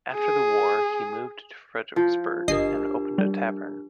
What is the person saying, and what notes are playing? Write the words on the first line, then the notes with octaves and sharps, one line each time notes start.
After the war, he moved to Fredericksburg and opened a tavern.
G#4
F3
G1 D4 G4 A#4 D#5 C7
G3